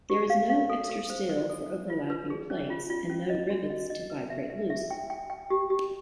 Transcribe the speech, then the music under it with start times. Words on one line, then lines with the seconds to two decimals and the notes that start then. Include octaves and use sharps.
There is no extra steel for overlapping plates and no rivets to vibrate loose.
0.10 G4
0.30 F5
0.50 F5
0.70 A4
0.90 A4
1.10 C5
1.29 C5
1.49 A4
1.70 C5
1.90 F4
2.10 B4
2.30 G#4
2.50 C#4
2.70 F4
2.90 F4
3.10 C#4
3.30 D#5
3.50 F#4
3.70 D#5
3.90 D#5
4.10 B4
4.30 E5
4.50 E5
4.70 E5
4.91 G5
5.10 G5
5.30 G5
5.50 G4
5.70 G4